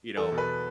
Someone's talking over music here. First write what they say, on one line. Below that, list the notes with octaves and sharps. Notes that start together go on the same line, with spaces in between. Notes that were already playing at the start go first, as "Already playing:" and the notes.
you know
E2 A4
B2
B4